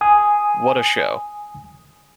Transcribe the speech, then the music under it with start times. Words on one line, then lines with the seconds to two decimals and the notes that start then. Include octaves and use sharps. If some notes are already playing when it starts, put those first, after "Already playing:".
What a show!
0.01 G#5 D#6